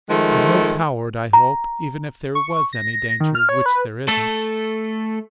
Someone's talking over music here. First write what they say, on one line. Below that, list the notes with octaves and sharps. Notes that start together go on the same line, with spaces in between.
"I'm no coward, I hope, even if there was any danger which there isn't."
D#3 F3 G#3 A3
A#5
C#6
A#6
D#3
F6
C#5
B4
A3 A4